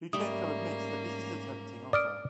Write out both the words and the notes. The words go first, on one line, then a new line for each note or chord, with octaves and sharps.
Luchenko admits that this is a tempting offer.
G#2 G3 A3 A#3 C#4 D#6
D5 D#6 F6 D7